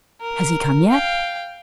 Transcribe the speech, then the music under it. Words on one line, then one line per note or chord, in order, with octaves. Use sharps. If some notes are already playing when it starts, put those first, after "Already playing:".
"Has he come yet?"
A#4
F5 G5